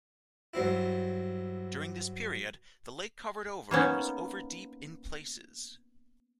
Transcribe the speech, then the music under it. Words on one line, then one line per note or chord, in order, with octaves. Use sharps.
During this period, the lake covered over and was over deep in places.
G2 F#3 C4 E4
A#3 B3 C#4 D#4